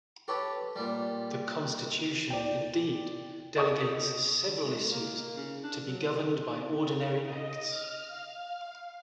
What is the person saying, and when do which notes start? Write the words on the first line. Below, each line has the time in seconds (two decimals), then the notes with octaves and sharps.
The Constitution, indeed, delegates several issues to be governed by ordinary Acts.
0.28 G4 A4 B4 C#5
0.76 A#2 G3
2.30 D5 G5
3.57 D#5 C#6 D#6
4.44 D3
4.64 G#3
4.91 A#3
5.36 C#3
5.63 D4
5.86 F#3
7.25 D#5
7.68 F6
8.06 F5